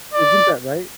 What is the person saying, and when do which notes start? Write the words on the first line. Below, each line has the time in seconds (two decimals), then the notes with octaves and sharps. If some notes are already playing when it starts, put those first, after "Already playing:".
Isn't that right?
0.14 D5